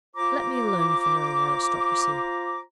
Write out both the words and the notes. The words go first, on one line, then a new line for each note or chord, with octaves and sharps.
Let me alone for knowing the aristocracy.
F4 C5 A#5 D6